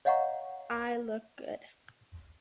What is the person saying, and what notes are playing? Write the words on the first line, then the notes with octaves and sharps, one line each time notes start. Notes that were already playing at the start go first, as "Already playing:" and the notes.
I look good.
C#5 D#5 F5 F#5 A#5 C#6